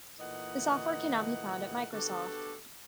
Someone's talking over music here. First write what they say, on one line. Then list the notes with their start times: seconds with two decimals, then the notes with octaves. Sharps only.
The software can now be found at Microsoft.
0.19 A#2 E3 A3 D#4 D#5 F#5
1.92 B3 D4 F#4 G4 A4